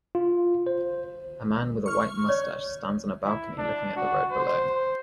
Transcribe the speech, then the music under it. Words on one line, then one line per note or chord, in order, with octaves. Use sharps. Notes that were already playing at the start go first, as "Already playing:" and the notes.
A man with a white mustache stands on a balcony looking at the road below.
F4
C5
C#6 F6
C#5 D5
E4
D4
F#4
C5